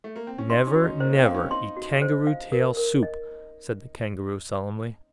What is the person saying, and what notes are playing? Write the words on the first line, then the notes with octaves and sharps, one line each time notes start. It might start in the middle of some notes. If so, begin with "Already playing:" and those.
"Never, never eat kangaroo-tail soup!" said the Kangaroo, solemnly.
A3
A#3
C4
C#4
D#4 C6
C#4
F#4
D#4
A#3 C5
C4
F5
C#4
D#4 C6
F#4
C5
F5
A#4
A#4
D#5